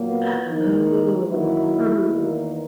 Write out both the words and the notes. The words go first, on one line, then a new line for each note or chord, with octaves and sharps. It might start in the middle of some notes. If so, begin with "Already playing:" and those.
Oh. Mhm.
Already playing: A#2 F#3 A#3
B3
E2 D#3 A#3 D#4
F#2 D#3 F#3 A#3 E4
E2 D#3 A#3